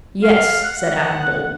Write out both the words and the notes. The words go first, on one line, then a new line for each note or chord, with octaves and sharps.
"Yes," said Adam boldly.
F5
F#5